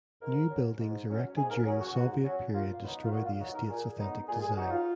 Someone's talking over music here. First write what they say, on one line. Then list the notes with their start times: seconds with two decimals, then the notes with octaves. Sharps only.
New buildings erected during the Soviet period destroyed the estate’s authentic design.
0.20 G#2 A#4
0.50 F#3 C#4
0.79 G#2
1.08 F#3 C#4
1.36 G#2 G#4
1.51 A#4
1.65 F#3 C#4 G#4
1.80 F#4
1.95 G#2 F#4
2.23 F#3 C#4 F#4
2.53 A#2 F4
2.82 F#3 B3 D#4
3.04 F4
3.12 A#2 F#4
3.25 F4
3.40 F#3 B3 D#4 F#4
3.54 A#4
3.69 A#2 G#4
3.98 F#3 B3 D#4
4.27 A#2 G#4
4.42 G#4
4.57 F#3 B3 D#4 F#4
4.71 F4